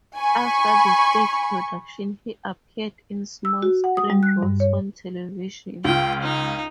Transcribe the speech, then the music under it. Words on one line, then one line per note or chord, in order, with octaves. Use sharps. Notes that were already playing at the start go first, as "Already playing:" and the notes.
After the stage production, he appeared in small screen roles on television.
G#5 B5 C#6
E6
F#4
F#5
D#6
G3
F#6
G2
C#5
C#2 F4 G5
D#4